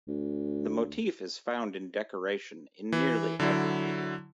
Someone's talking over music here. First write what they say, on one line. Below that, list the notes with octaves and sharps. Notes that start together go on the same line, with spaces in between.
The motif is found in decoration in nearly every medium.
D2
E3
D3 F#3 E4